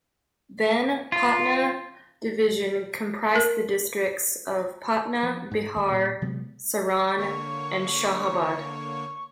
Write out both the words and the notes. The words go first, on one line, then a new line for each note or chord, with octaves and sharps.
Then Patna division comprised the districts of Patna, Bihar, Saran and Shahabad.
F4
A#4
F3
G#2
D#2
A#2 C#3 F3 G3
C3 F#3 G#3 B3
D3 A#3 C#5 C#6